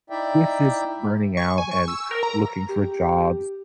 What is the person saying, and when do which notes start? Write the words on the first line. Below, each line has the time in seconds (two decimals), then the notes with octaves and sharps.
with this burning out and looking for jobs,
0.10 D#4 E4 D5 E5 G5
1.37 C#6
1.58 G#5
1.71 C#6
1.88 E6
1.99 E6
2.11 A#4
2.23 A#5
2.69 G4